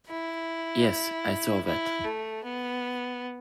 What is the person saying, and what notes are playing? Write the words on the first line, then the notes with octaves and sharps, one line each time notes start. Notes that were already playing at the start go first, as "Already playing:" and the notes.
Yes, I saw that.
E4
E4
A3
B3